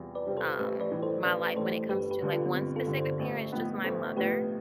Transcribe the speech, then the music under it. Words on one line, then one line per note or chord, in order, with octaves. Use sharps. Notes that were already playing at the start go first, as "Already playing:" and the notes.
um, my life when it comes to like one specific parent. It's just my mother.
Already playing: E2 C3 G3 F4
B4 D5
C3 G3 C4 F4
A4 C5
A1 G4 B4
B4 D5
A2 E3 G3
A4 C5
A1 B4 D5
A2 E3 G3 A4 C5
G1 G4 B4
G4 B4
G2 D3
F4 A4
B3
G1 C4
F4 A4
G2 D3
A4 C5
A1
A2 F3 B3
A1 A4 C5
A2 F3 B3 G4 B4